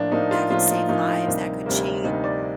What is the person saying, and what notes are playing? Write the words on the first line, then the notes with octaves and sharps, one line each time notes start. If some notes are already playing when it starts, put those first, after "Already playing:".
that could save lives, that could change
Already playing: A2 F3 A#3 D4
A2 F3 A#3 D#4
F4
A2 F3 A#3 F4
D#4
A2 F3 A#3 D#4
D#4
D2 C3 G3 A#3
D2 C3 G3 A#3
D2 C3 G3 A#3 D#4
D5